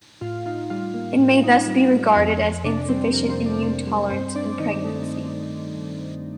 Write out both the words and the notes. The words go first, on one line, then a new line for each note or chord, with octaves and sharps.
It may thus be regarded as insufficient immune tolerance in pregnancy.
A2 F4 F5
D#4 F4 F5
G3 F4 F5
A#3
A2
D#4
G3
A#3
F2
F2
C3 D4 D5
G3 C4 C5
F2 A#3 A#4
C4 C5
F2
D4 D5
C3 C4 C5
G3
G2 C4 C5
C4 D4 D5
D#3 D#4 D#5
A3